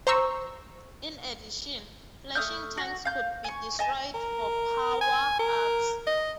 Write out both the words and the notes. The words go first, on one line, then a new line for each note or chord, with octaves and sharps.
In addition, flashing tanks could be destroyed for power-ups.
C5 A#5 C#6 E6
A3 D#6 F6 G6
F#4
F5 G6
G#5 C#6
D#5 G#5 A5
A#4
G#5
A#4
D#5